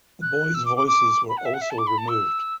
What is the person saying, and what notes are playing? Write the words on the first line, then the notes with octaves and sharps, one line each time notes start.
The boys' voices were also removed.
F#6
E6
D6
D6
D6
B5
F#5
E5
F#5
E5
A5
D6
B5
A5
E6